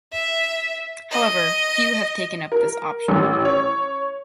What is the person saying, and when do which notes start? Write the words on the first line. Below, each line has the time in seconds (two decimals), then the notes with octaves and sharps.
However few have taken up this option.
0.13 E5
1.12 D#5
2.52 A#4
3.08 A1
3.45 C#5